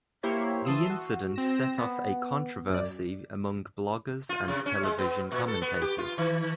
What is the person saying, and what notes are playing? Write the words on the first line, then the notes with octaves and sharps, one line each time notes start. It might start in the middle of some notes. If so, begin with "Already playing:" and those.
The incident set off a controversy among bloggers and television commentators.
A#3 E4 G4 C5 C#5
E3 A5 C6 D#6 E6
F#4
C4 A#6 E7
B3
F#2 D5
F4
C3
C#4
G#3
B3
A#2
A4
B3
G4
F4
D#3